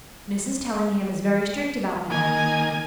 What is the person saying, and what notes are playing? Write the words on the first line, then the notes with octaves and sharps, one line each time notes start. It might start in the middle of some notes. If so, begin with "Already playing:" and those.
Mrs. Tellingham is very strict about that.
D#3 A#3 G#5